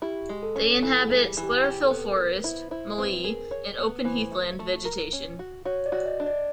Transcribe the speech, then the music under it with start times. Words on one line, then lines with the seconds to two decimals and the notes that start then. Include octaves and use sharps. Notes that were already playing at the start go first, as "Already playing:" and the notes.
They inhabit sclerophyll forest, mallee, and open heathland vegetation.
0.02 E4 G4
0.29 G#3
0.43 A4
0.56 C#4
0.83 E3 A4
1.03 G#4
1.10 G3
1.23 G4
1.37 E3
1.43 G4
1.63 G4 G#4
1.84 A4
1.90 B3
2.04 A#4
2.17 B3
2.44 E4 C5
2.71 E4 C5
2.98 C4 B4
3.24 G#4 A#4
3.51 C#5
3.78 B3
4.05 E3 C5
4.31 A3
4.59 A3
4.85 A#4
5.13 C#4
5.39 F#4
5.65 F#4 C#5
5.86 D5
5.92 F#4
6.06 D#5
6.20 D4
6.26 D5